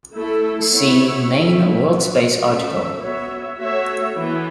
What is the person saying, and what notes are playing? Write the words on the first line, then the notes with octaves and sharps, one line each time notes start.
See main WorldSpace article.
A3 E4 A4
B3 E4 C#5 E5
C#4 E4 A4 E5
F#3 B3 F#4
A3 C#4 A4 E5
B3 F#4 C#5 E5
A3 F#4 C#5 E5
E3 B3 E4